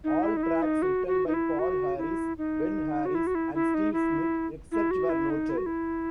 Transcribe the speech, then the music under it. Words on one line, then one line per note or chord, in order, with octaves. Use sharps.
All tracks written by Paul Harris, Ben Harris, and Steve Smith, except where noted.
D#4
E4
D#4
E4
D#4
F#4
F#4
D#4
E4
F#4
E4
D#4
F#4
E4
F#4
E4
E4
D#4
E4
E4
F#4
E4
D#4
E4
F#4
E4